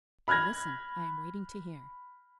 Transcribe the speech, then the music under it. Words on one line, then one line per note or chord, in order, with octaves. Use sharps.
"I listen--I am waiting to hear."
B5 F6 F#6 G#6 A#6